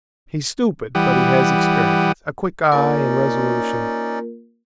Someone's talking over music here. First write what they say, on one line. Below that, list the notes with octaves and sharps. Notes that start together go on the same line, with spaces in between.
He's stupid, but he has experience, a quick eye, and resolution....
E3 G3 G4 F#5 D#6
A#3 C#4 D#4 F4 A#4 D5